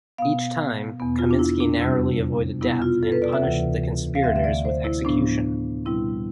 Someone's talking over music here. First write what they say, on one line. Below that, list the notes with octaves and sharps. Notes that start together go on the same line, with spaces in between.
Each time, Kaminski narrowly avoided death and punished the conspirators with execution.
B2 B3 F5
E2 B2 B3
F4
D4
E4
D4
F2 C3 G3 C4
B2 B3 E4
F4
A4
B4
D5
E5
D2 C3 E3
F5
D2 D3 A3 C4 E5
E5
D5
C5
E4
A2 F3 B3 D4
B2 G3 C4 E4